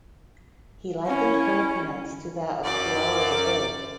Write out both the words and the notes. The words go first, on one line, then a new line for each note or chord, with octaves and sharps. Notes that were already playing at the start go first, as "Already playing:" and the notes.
He likened her appearance to that of Cruella de Vil.
C#4 E4
F#2 D5